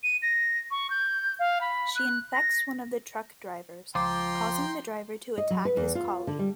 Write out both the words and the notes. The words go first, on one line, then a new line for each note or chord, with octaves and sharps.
She infects one of the truck drivers, causing the driver to attack his colleague.
D#7
A#6
C#6
G6
F5
B5
F#6
A#6
C#2 F3 F4 G5 A#5 C6 D6
D#5
F#3
B4
E2
F4
D3
G3